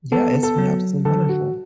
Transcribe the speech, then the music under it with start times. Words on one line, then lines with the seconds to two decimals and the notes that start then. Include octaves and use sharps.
Yeah, it's been absolutely wonderful.
0.12 B3 A4
0.43 A4
0.58 F#3
1.05 D3 A4
1.29 F#4